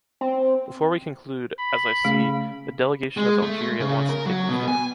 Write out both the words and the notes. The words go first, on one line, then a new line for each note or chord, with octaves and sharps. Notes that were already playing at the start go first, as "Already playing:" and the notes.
Before we conclude, as I see, the delegation of Algeria wants to take the floor.
C4
B5
C#3 A3
G#3
A3
C#3
A#4
F#3
B2
G#5